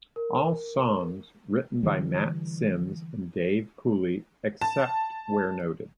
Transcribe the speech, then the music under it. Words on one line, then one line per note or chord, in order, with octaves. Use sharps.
All songs written by Matt Sims and Dave Cooley, except where noted.
A#4
D3 E3 G3
A5